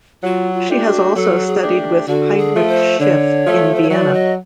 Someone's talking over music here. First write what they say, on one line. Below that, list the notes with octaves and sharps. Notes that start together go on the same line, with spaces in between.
She has also studied with Heinrich Schiff in Vienna.
F#3 F4
F4
A3 D4 G4
F#4
F#3 A4
G#4
A3 D4 G4
D3 F#4
G#4
F3 A3
C5
D3 C#5
F3 A3
C5
C#5
F#3 D5
D#5